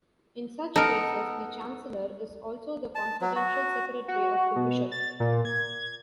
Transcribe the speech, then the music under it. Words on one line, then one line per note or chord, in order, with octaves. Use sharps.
In such cases the chancellor is also the confidential secretary of the bishop.
B3 D#4 A4 A#4
A5
F#3
F#4
F#4
B2
A6
A#2
G#6